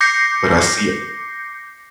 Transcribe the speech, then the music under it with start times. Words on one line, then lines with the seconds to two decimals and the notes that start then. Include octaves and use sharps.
But I see
0.01 D6 G6 A#6 C7 C#7